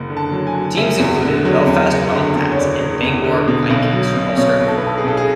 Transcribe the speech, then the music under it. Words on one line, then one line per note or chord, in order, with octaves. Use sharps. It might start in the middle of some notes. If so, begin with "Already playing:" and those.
Teams included Belfast Wildcats and Bangor Vikings from Ulster.
Already playing: F#1
D3
A5
F#3
G#5
F#3
F#1 E5
E2
D3
F#3
E2
F#1
D3
E2
C#5
F#1 D5
F#1
E2
D3
B2
B1
F#3
B2
B2 C#5
B1
A4
B4
B1 A4
G#4
B1 A4
G#4